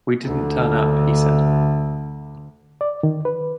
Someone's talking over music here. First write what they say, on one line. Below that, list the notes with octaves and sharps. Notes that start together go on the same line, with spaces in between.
"We didn't turn up," he said.
D2 D3
D5
D#3
B4